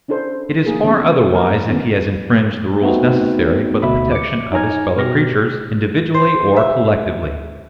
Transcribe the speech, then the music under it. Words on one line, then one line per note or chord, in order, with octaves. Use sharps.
It is far otherwise if he has infringed the rules necessary for the protection of his fellow-creatures, individually or collectively.
C#4 D4 E4 A4 C5
F3 A3 A#3 D#4 G#4 A#4
C#3 E3 B3 C#4
A#3 A#4
D#3 A3 B3 C#4 E4
A3 B3 C4 D#4 F#4
D2 B2 E5 B5
D6 C#7
D#4 C#5 G#5 A#5 F6 G#6
B2 G4 F6 A#6
C5
E5